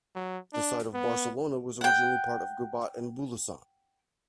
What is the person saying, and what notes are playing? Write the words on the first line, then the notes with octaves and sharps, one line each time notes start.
The site of Barcelona was originally part of Gubat and Bulusan.
F#3
D4
B3
F#5 G5